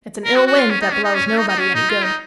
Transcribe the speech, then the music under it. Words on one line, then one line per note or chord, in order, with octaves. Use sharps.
"It's an ill wind that blows nobody any good."
A#4
F#4
F#4
F4
C#4
D#4
C#4
D#4
C#4
C#4
D#4
D#4
C#4
D#4
F4
D#4